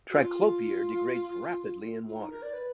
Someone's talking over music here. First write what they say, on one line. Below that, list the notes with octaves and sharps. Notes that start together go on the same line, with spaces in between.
Triclopyr degrades rapidly in water.
F#4
F4
F4
D#4
A#4
D5
B4